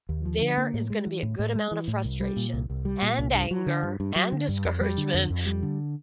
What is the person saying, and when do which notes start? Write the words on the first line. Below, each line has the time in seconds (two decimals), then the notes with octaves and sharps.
there is gonna be a good amount of frustration and anger and discouragement,
0.09 D#2
0.25 F3
0.41 D3
0.58 A#3
0.74 A2
0.90 G#3
1.06 E3
1.23 A2
1.39 A2
1.55 G#3
1.71 E3
1.88 A2
2.04 C2
2.20 G3
2.37 A#2
2.54 C2
2.70 C2
2.85 G3
3.02 A#2
3.19 C2
3.35 G2
3.51 F#3
3.67 D3
3.83 G2
4.00 G2
4.16 F#3
4.32 D3
4.49 G2
4.65 F2
4.81 G3
4.98 D3
5.14 F2
5.30 F2
5.46 G3
5.63 D3